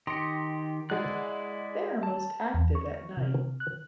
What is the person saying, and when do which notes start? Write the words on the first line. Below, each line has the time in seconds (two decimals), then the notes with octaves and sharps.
They are most active at night.
0.07 D#3 G4 D#5 C6 C#7
0.90 G#3 E4 D5 F#5 F#6
2.03 A5
2.54 E2
2.75 C#6
3.17 C3
3.60 F#6